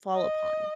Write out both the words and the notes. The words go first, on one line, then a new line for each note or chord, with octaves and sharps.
fall upon.
D#5